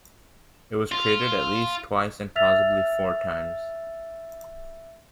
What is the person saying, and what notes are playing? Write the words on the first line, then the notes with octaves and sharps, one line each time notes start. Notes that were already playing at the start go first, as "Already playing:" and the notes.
It was created at least twice and possibly four times.
F4
E5 E6 F6 A6 B6 F7